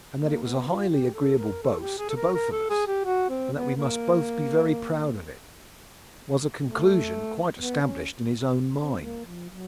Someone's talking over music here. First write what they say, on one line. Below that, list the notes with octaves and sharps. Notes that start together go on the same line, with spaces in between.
And that it was a highly agreeable boast to both of us, and that we must both be very proud of it, was a conclusion quite established in his own mind.
A#3
B3
F4
G4
A4
A#4
A4
G4
G#4
A4
A#4
A#4
A4
G#4
G4
F#4
C4
B3
A#3
A3
B3
C#4
C4
A#3
F3
F#3